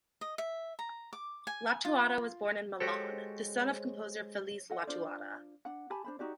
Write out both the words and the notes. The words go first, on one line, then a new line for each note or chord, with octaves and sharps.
Lattuada was born in Milan, the son of composer Felice Lattuada.
D#5
E5
A#5
D6
G#5
F4
G#3 F#4 G4 A4 C5 C#5
A4 D#5 F#5
D4 F4 C5 D5
D4 F#5
G4 G#5 A5 B5
D4 C5 B5
D#4 F#4 G4 D5